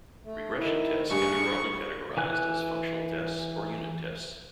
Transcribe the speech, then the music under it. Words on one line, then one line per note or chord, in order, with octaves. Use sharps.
Regression tests can be broadly categorized as functional tests or unit tests.
A3
D#3 E4
G2 G#4 C#6
E3 G#5 F#6